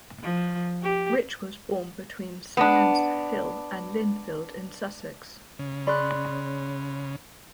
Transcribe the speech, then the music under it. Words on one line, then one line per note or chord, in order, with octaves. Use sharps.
Rich was born between Scaynes Hill and Lindfield in Sussex.
F3
G4
B3 D4
C#3
C#4 G#4 D5 B5 C6 F#6